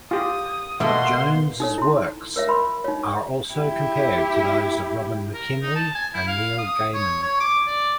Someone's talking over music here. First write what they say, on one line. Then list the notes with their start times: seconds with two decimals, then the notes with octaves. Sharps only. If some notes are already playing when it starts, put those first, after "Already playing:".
Jones' works are also compared to those of Robin McKinley and Neil Gaiman.
0.11 F4 G4 D#6
0.80 B2 A#3 F4 A4 D#5 E5 F#5 C6
1.60 D#4 A4 C#5
1.78 E4 C6
2.36 A#4 C#5 E5
2.48 A#4 B5 C6
2.84 D#4 C#5
3.53 E4 G4
5.34 A#4
5.62 D#4
5.76 A5
5.95 G#5
6.14 E4
6.27 F5
6.58 D#6
6.94 C#5
7.23 C#5
7.40 D6
7.67 D5